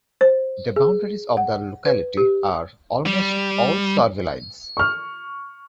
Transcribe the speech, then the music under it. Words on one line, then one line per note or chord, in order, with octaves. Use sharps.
The boundaries of the locality are almost all survey lines.
C5
G#4
F#5
B4
G4
G3
C#6 F6